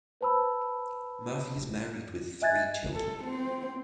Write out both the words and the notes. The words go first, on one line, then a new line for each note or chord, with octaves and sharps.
Murphy is married with three children.
B4 C5 A5 B5 E6
D#5 E5 G#5 F#6 G#6 A6
A4
C4